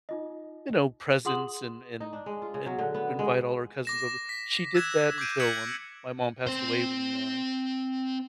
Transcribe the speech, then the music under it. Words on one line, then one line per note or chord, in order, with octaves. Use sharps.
you know, presents and and and invite all our cousins over. She did that until when my mom passed away when, uh,
D#4 F4 D#5
F4 G#4 F#5 C6 D#6 F#7
D#4
D4
G#3
F4
C#3
F#3
D3
B3
G#3
D6 A#6 E7
B6
E6 F#6 G#6 A#6 E7
D6 G6 C7 D7 D#7
F#6 G#6 B6 C#7 D7 F#7
C4 C5